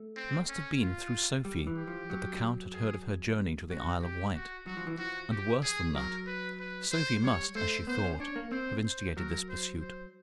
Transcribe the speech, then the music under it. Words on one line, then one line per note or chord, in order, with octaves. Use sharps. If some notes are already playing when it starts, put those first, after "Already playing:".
It must have been through Sophie that the count had heard of her journey to the Isle of Wight; and, worse than that, Sophie must, as she thought, have instigated this pursuit.
Already playing: A3
C4
C#4
F4
G3
E3
G4
F3
F#3
G#4
F#4
G4
F#4
F#3 F#4
F3
E3
F3 F#4
G4
G#4
F#3 A#4
B4
B4
C5
G3 C#5
A3 C5
B3 C5
C#4
D4 C#5
A#3
C4 C5
C5
F#3 A#4
C5
C5